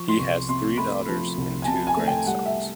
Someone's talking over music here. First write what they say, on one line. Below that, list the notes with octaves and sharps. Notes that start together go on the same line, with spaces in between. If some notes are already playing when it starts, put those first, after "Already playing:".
He has three daughters and two grandsons.
Already playing: F3 C#6
C6
C2 C#6
C3 C6
A3 B5
F3
C2
G#5
C3 A5
G#5
A3
G5
G3 F#5
E5